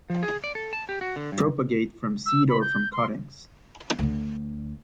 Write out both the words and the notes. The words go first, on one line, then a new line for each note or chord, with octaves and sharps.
Propagate from seed or from cuttings.
F3
G#4
D5
A4
A5
G4
F#4
D3
G2
E6
B5
G6
C6
D2 D3